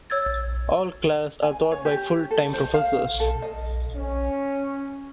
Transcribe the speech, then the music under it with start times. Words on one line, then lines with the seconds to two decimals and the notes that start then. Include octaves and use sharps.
All classes are taught by full-time professors.
0.10 C#5 E6 G#6 A6
1.42 G#5
1.72 C#5
1.85 G4
2.31 A4
2.53 C5
2.74 F5
3.20 A4
3.42 D#5
3.96 C#4